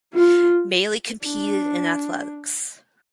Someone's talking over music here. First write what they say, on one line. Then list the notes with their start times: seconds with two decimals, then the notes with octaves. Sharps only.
Mali competed in athletics.
0.14 F4
1.25 D4